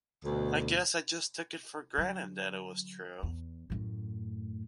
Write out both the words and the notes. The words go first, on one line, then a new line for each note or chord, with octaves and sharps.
I guess I just took it for granted that it was true.
D2 B2
D3 F#3
E2
F#2 A2